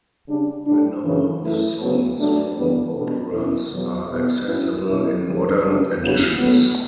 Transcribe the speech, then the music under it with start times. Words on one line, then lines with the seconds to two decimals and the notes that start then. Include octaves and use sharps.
A number of songs from operas are accessible in modern editions.
0.27 C#3 G3 D4
0.65 A2 G3 D4
1.04 F#2 C#3 E3
1.42 F#2 E3 A3 E4
1.81 D2 C#3 F#3 B3
2.18 G2 F#3 A3 D4
2.57 F#2 C#3 E3 G3 B3
2.96 B2 G3 D4
3.34 B2 F#3 C#4 E4
3.72 E2 B2 F#3
4.10 B2 G3 B3 E4
4.48 G2 F#3 C#4 E4
4.86 B2 F#3 C#4 E4
5.24 D2 C#3 E3 G3
5.63 F#2 C#3 G3 D4
6.01 C#3 F#3 B3 E4
6.39 A2 F#3 B3